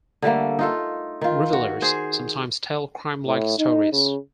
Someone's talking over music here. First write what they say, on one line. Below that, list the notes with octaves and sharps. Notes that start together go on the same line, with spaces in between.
Revealers sometimes tell crime-like stories.
D3 G3 A3 A#3
D#4 F4 A4
D#3 F4
F#4
G#4 C5
A2
D#4
C#3